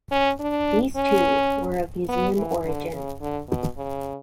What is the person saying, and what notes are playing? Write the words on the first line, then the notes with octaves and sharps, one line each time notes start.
These too, were of museum origin.
C#4
D4
C#4
B3
E3
D3
C#3
D3
B2
C#3